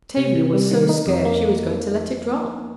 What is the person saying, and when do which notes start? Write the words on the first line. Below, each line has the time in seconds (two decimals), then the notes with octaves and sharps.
"Tavia was so scared she was going to let it drop."
0.17 C3
0.35 C3
0.53 G3
0.71 D#3
0.89 D#4
1.07 F2
1.25 A#3